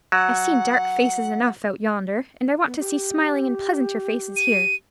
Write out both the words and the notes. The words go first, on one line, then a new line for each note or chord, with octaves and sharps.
I've seen dark faces enough out yonder; and I want to see smiling and pleasanter faces here.
F#3 F#5
B3
G4
D#7